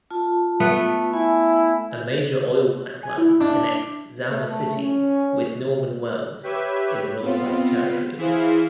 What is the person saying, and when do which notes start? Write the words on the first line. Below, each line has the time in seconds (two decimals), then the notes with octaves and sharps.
A major oil pipeline connects Zama City with Norman Wells in the Northwest Territories.
0.11 F4 A5
0.60 A3 B3 B4
1.13 E4 G#5
3.03 G#5
3.18 E4
3.41 D4
4.31 A3
4.77 C#4
6.43 G4 B4 C#5 E5
7.22 B3 C4 F4
8.18 E3 E4 G#4 C5 F5